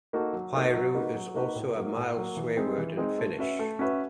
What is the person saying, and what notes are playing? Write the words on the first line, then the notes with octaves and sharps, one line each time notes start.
"Piru" is also a mild swearword in Finnish.
A#3 D#4 F#4 A4
F#3
A#3 D#4 F#4 A4
F#3
A#3 D#4 F#4 B4
F#3
A#3 D#4 F#4 B4
A2
F#3 A#3
A2
F#3 A#3
E3
G#3 C4 D#4 G#4
E3
G#3 C4 D#4 G#4
A3
C#4 F#4 B4 E5
A3
C#4 F#4 B4 E5